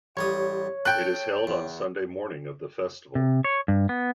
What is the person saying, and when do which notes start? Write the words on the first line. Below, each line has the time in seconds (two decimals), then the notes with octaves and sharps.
It is held on Sunday morning of the Festival.
0.17 A1 G3 C#5 D#6
0.85 A4 G5 F#6
1.47 E2
3.15 C3
3.44 C#5
3.68 G2
3.89 B3